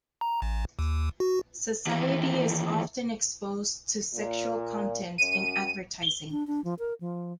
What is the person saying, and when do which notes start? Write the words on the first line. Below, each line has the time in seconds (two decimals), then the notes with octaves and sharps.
Society is often exposed to sexual content in advertising.
0.21 A#5
0.42 A1
0.79 D#2
1.20 F#4
1.87 D#2 E3
4.14 A#2
5.18 F#2 D#7
6.31 D4
6.47 D4
6.64 F3
6.79 A#4
7.01 F3